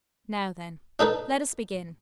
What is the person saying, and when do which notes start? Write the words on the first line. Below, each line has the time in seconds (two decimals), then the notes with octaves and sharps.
Now then, let us begin.
0.99 D4 D#4 A4 B4